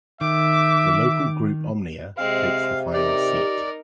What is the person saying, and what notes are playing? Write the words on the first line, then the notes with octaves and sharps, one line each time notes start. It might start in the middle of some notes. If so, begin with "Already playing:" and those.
The local group Omnia takes the final seat.
D#3 E5 D6
C3 G#3 C4 F5
D#4 G4 A#4 D5